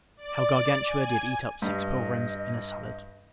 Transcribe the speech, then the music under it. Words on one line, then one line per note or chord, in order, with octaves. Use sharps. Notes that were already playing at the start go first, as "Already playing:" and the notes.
How Gargantua did eat up six pilgrims in a salad.
D5
G#5
G2 D#5